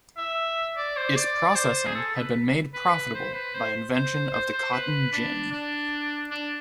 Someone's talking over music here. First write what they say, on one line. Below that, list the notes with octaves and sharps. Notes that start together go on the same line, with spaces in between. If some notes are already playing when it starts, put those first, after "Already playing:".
Its processing had been made profitable by invention of the cotton gin.
E5
D5
C5
D5
D5
C5
G#4
A4
B4
B4
C5
B4
C5
C5
C5
C5
B4
D4
D4
D4